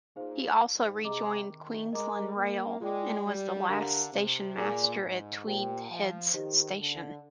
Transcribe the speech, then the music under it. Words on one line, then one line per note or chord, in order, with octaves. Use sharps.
He also rejoined Queensland Rail and was the last stationmaster at Tweed Heads station.
A#2 D#4 G#4 C5 F5
G#2
C3 G#4 D#5 A#5 D6
D#3
G#3 A#4 D#5 A#5 D6
A#3
G#3 F4 G#4 D5 G5 D6
G3
D3 D4 G4 A#4 F5 A#5
C3
A#2 G#4 D5 G#5 D6
G#2
A#2 G4 C5 G5
F3
D#3 D#4 G4 C5 D#5
D3